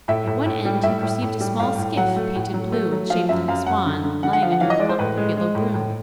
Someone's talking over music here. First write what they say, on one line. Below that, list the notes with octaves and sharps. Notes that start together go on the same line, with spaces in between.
At one end he perceived a small skiff, painted blue and shaped like a swan, lying under a clump of yellow broom.
A2 E5
A2
A2
G3
A2 E5
A2
A2
G3
A2 F5
A2
F#3 F#5
A3
A2
F#3
A3
F#3
F3 F5
F#2 E5
F#2 F5
F#2 F#5
D3
D3
D3 F#5
F#5
F3 F5
F#5
E3 F5
D#5
G#3 D5
C5
A2 B4
G#3
G#3
A2
A2